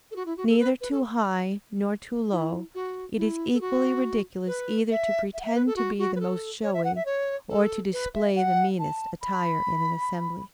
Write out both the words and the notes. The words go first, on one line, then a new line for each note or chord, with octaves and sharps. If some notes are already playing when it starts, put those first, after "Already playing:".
Neither too high, nor too low; it is equally ridiculous either to pretend to be the most showy, or to display the meanest attire in an assembly.
A4
F#4
E4
F#4
A4
B4
B4
A4
E4
F#4
E4
A4
F#4
B4
E5
E5
F#5
E5
B4
A4
F#4
F#4
B4
A4
C#5
E5
F#5
E5
C#5
A4
B4
E5
F#5
A5
B5